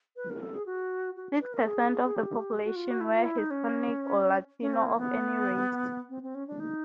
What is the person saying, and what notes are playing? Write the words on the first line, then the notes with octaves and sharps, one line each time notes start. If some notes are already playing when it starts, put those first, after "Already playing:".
Six percent of the population were Hispanic or Latino of any race.
B4
A#4
A4
G#4
F#4
F#4
B4
A#4
G#4
G#4
G4
F#4
F4
F#4
E4
F4
E4
D#4
C#4
C#4
C4
A#3
B3
C4
C4
C#4
D4
D#4